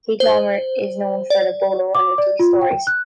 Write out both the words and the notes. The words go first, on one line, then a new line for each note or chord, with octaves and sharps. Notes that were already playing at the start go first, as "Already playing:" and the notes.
Keith Laumer is known for the Bolo and Retief stories.
C5
D5
D6
D5
F4
G5
F#6